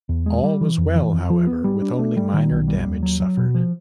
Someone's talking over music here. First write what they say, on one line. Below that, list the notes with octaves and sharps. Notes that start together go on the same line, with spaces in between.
All was well however, with only minor damage suffered.
E2
G#3
G3
E3
F2
E3
F2
F3
B3
G3
D4
A3
G3
D#3
B1
G3
D#2
F#3
F#3
B2
F3